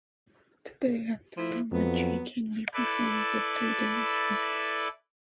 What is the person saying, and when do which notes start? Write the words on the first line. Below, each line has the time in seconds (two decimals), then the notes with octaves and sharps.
Today anthropometry can be performed with three-dimensional scanners.
1.37 F3 A3 E4
1.72 F2 F#3 B3
2.74 E4 A4 B4 D5